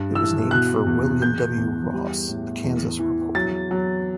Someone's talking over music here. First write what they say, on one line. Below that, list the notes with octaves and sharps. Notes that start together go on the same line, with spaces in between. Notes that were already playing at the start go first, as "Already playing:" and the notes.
It was named for William W. Ross, a Kansas reporter.
Already playing: G2
E3 E6
B2 F#6
E2
E2 G6
E2
G3
A2
E2
E3
F#3 A6
F#3